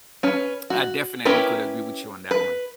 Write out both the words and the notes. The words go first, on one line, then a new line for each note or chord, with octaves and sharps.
I definitely could agree with you on that one.
C#4 B4
F#4
C#4 E4 G4 A#4 B4
B4